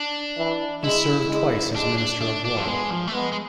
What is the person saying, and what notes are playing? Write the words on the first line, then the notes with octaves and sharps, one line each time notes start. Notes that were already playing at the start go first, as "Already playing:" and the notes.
He served twice as minister of war.
Already playing: D4
E3
G#3 E4
G#3
G#3 D4
D4
A3 D4
D4
F3
G#3 B3
F3
A3
G#3 B3
G#3